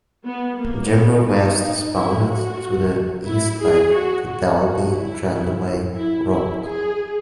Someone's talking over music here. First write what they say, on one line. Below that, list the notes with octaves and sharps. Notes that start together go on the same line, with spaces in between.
Jimbour West is bounded to the east by the Dalby Jandowae Road.
B3
A#3
B3
D#4
D#4
E4
F#4
E4
G#4
F#4
F#4
F#4
E4
E4
E4
G#4